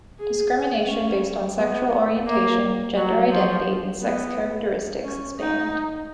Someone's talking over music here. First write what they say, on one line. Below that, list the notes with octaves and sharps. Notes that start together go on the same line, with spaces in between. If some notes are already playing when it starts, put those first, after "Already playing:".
Discrimination based on sexual orientation, gender identity and sex characteristics is banned.
G#4
C#4
B3
A#3
F#3
F3
B3
C#4
D#4